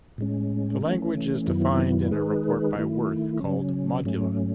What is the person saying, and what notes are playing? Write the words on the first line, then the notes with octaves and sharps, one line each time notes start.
The language is defined in a report by Wirth called Modula.
A2 G#3 C#4
E3 A3 C#4
F#2 D#3 F#3 B3 E4
D#3 G#3 D#4 G#4 B4
D#3 A3 E4
C#3 F#3 C#4
G#2 F#3 A3 C#4